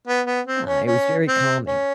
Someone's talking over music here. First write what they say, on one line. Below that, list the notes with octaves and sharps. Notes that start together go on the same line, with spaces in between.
yeah, it was very calming,
B3
B3
C4
C#4
C#4
C4
C#4